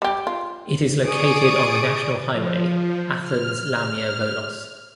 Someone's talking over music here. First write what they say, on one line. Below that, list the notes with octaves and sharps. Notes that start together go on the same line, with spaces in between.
It is located on the national highway Athens-Lamia-Volos.
G3 G4
F4
G#4 D5 C#6 D#6 D7
F3
F6